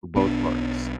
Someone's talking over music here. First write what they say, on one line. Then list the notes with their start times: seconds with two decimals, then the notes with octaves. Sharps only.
For both parties.
0.16 B1 B3 D4